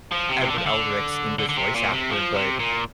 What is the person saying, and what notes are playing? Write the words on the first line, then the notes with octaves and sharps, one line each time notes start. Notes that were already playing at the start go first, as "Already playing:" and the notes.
Edward Elric's English voice actor, but
F3
C3
F3
D3
F3
D3
D3
D3
C3
A#2
C3
F3
C3
A#2